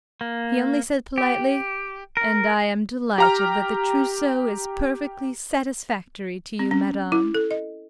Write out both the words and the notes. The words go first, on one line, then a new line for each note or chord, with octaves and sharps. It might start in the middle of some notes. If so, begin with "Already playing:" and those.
He only said politely, "And I am delighted that the trousseau is perfectly satisfactory to you, madame."
A#3
G4
A#4
G4 A#5 F6
C4
C#4
E4
A4
D#5